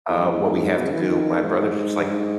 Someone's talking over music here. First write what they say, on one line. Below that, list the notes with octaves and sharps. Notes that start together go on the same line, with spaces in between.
"Uh, what we have to do" my brother's just like,
E2
G2
E2
G#2
B2
C#3
E3
D#3
G#2
G2
G#2